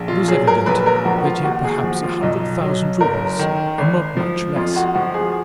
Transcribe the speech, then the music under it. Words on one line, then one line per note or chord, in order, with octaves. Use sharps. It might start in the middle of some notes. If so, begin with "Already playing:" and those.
It was evident that he had perhaps a hundred thousand roubles or not much less.
Already playing: A#1
F4
F#3 G#4
A#4
A#1 B4
A#4
F3 F#4
F#4
F4
D#2 F#4
G#4
F3 F#4
F4
B1 D#4
F#3
F#1 A#4
D#3
G#1
F3
F2 F4
F#4
F3 F#4
G#4